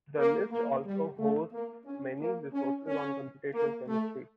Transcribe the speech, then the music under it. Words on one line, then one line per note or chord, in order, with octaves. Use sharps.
The list also hosts many resources on computational chemistry.
A#3
A#3
G3
A3
A#3
C#4
A#3
C#4
C#4
A#3
A3